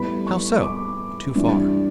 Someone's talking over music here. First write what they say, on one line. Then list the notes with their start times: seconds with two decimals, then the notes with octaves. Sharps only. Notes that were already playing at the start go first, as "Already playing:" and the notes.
"How so--too far?"
Already playing: A2 G3 B3 B5
0.27 C#6
0.63 D6
1.35 G2 E3 G3